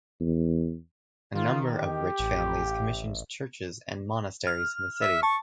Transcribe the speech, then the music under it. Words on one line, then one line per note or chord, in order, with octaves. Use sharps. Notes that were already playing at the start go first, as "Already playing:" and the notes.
A number of rich families commissioned churches and monasteries in the city.
E2
D#3 F4
G4
A1
F6
E5
A5 C#6